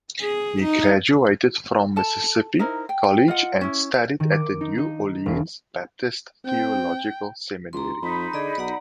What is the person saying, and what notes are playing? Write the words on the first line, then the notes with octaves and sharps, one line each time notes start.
He graduated from Mississippi College and studied at the New Orleans Baptist Theological Seminary.
G#4
D#4
A4 A5
D#4 E4 A#4 C5
G5
F4 D#5 F#5
C#4 E4
D#3
D6
D#4
D#4
E1
C4 G5
C#2 A#5 C6
F2 D#4 B5
D3 G#4 D5 D#5
B1 D5 F#5 A#5